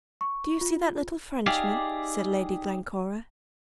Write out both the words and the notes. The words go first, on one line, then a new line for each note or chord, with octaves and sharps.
"Do you see that little Frenchman?" said Lady Glencora.
C#6
F4
D#4 G4 G#4 D5 E5 F5